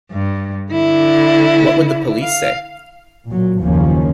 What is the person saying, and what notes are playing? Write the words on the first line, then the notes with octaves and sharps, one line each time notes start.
What would the police say?
G2
D3 E4
F5
A#2 F#3
F#1 D#2 F3 A#3 C#4